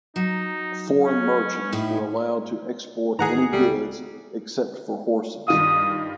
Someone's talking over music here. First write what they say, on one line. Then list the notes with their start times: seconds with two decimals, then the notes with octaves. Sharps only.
Foreign merchants were allowed to export any goods except for horses.
0.16 F#3 D#4
1.04 C#4
1.72 A2 D#4 E4
3.19 A2 D#3 E3 G#4 F#5 A#5
3.52 C#2 G3 A3
5.48 G2 D#3 F4 D#6